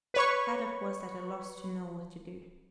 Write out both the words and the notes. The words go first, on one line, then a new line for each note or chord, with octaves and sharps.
Kadok was at a loss to know what to do.
B4 C#5 C#6